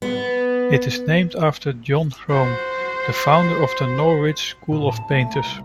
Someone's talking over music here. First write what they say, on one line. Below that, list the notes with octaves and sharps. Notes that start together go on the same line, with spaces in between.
It is named after John Crome, the founder of the Norwich school of painters.
B3
F#4 C5
A2
A5
A3
A#5
C2